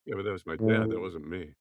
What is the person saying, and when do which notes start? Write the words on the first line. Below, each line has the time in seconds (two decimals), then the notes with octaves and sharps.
Yeah, but that was my dad, that wasn't me.
0.59 A2